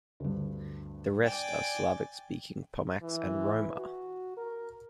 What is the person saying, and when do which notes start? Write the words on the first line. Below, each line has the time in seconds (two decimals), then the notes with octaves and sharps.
The rest are Slavic speaking Pomaks and Roma.
0.20 D2 G2
1.25 D5 G5 G#5
3.02 E3
3.79 F#4
4.37 A#4